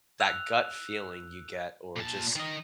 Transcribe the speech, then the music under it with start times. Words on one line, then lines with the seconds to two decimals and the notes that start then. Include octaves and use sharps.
that gut feeling you get or just
0.20 E6 F#6 F7
1.96 A#2 A5
2.36 D#3 D#5